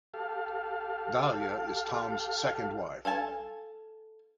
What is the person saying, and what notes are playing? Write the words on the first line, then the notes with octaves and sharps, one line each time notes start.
Dahlia is Tom's second wife.
G4 A4 F5
A4 F5 G#5 A5